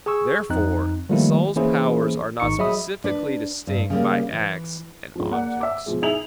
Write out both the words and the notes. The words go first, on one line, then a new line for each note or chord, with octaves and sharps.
Therefore the soul's powers are not specifically distinct by acts and objects.
G#4 G#5 C#6 E6
F2 C4 D#4 F#6
D#3 F3 G3 A3 A#3 E4
E3 A#3 C#4 E4 G#4 C5
G#1 D#4 C#6 C#7
F#3 G#4 D#5 E5 B5 D#6
D4 B4
G2
C#3 G3 A#3
E3
C#2 F3
A#3 D5 F#5
E5 D6
B2 F3 G#3
D#4 E4 G#4 F7 F#7